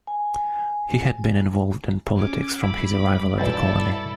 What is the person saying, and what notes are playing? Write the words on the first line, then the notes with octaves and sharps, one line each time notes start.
He had been involved in politics from his arrival at the Colony.
G#5
C#4 D6
G2 E4 B5 D6
B1 E2 C4 E4 A4 D5 A6